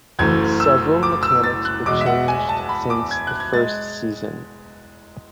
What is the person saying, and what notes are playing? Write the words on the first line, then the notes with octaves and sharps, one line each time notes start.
Several mechanics were changed since the first season.
F#1 F#2 E3 A3 G#6
E6
D6
E6
A6
F#6
E2 B2 G#3 D6
E5
F#5
G#5
A5
B5
D6
G#6
F#6
G#6
G#3 A6